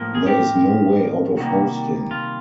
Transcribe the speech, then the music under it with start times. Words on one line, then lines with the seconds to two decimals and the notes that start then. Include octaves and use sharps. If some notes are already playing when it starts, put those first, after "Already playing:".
There is no way out of hosting.
Already playing: A2 F3 A#3
0.15 G#4
0.26 G4
1.37 C3 D#3 G3 A#3 F#4
2.11 F4